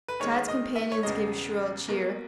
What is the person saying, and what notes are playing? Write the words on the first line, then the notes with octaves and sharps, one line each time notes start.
Tad's companions gave a shrill cheer.
B4
D#2 D#3 G#3 C#5
D#5
E5
C#5
E1 E2 C#3 G#3 D#5
B1 B2 A#3